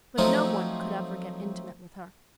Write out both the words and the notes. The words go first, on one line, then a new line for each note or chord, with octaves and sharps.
But no one could ever get intimate with her.
F3 F#3 A3 C4 D#4 F4